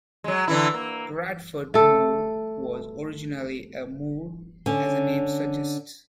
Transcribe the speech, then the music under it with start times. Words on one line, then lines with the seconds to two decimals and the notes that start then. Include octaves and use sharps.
Bradford Moor was originally a moor, as the name suggests.
0.24 F#3 G#3
0.48 D3 E3 E4
0.74 A#3
1.74 A3 A4
4.66 D3 C#4